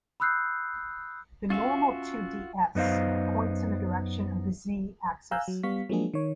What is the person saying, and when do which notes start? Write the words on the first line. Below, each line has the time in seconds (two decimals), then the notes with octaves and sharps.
The normal to d"S" points in the direction of the "z" axis.
0.20 B5 D#6 E6 F#6 G6 C7
1.50 C#4 F4 F#4 E5 F5
2.75 F#2 B3 D#4 C5 F5
5.31 F5 G#5 A#5 E6 F#6 G6
5.48 F#3
5.63 G3 B3 F5 C#6 B6
5.89 F3 F#3 G#3 A#3 D4 G#4
6.14 D#3 C#5